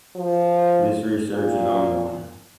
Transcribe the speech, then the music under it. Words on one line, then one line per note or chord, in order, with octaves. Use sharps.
This research is ongoing.
F3
A#2